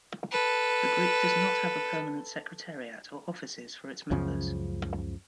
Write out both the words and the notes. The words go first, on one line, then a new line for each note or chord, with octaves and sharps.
The group does not have a permanent secretariat, or offices for its members.
A4 B4
C#2 F#2 C#3 F3